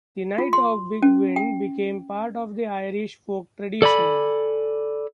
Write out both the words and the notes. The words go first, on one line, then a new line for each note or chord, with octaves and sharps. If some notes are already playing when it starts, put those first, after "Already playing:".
The Night of the Big Wind became part of Irish folk tradition.
F4
C6
C#4
G5
A4 D5 G#5 B5